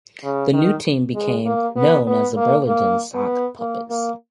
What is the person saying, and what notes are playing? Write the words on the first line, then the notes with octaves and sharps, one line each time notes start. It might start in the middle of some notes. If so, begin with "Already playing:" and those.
The new team became known as the Burlington Sock Puppets.
C#3
D#3
G#3
A#3
B3
B3
A#3
A#3
B3
A#3
A#3